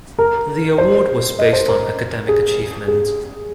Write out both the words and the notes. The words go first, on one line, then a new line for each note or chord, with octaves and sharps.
The award was based on academic achievement.
A#4
C5
D#5
C5
A#4
G#4
G#4